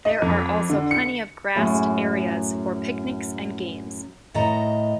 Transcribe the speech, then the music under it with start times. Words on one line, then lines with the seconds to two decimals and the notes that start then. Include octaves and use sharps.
There are also plenty of grassed areas for picnics and games.
0.05 D#5
0.22 F2
0.70 D3
0.91 C#7
1.55 F#2 A2 C#4 G#4
4.34 A2 D#3 D#5 A#5